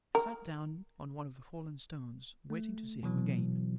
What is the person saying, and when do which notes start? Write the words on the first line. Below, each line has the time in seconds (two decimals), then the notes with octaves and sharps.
I sat down on one of the fallen stones, waiting to see him again.
0.15 A#4
2.50 A3
3.03 B2 E3 F#3